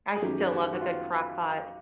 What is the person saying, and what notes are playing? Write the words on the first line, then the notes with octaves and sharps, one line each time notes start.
I still love a good crock pot.
G#4
F#2 D#3 F#3 A3 C#4 G4
G4
F#4
F#4
F4